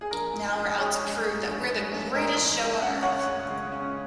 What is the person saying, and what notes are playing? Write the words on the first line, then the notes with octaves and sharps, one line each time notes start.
Now we're out to prove that we're the greatest show on earth.
G#4
A#1 A#4
G#2
A#1
D#5
G#3 G#4 C#5
A#1
G#2
A#1
G#3
A#1
G#2 A#4 D#5
A#1
G#3
C#4 F#5
C#3 C#5 F#5
C#2
G#3
C#4